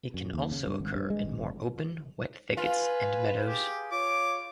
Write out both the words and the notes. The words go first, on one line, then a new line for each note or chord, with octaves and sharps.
It can also occur in more open wet thickets and meadows.
F#2
D#2
C#3
G2
G#1
G2
G#3
G#1
F1
F4 B4 G#5
G4 G#4
F4 C#5 D6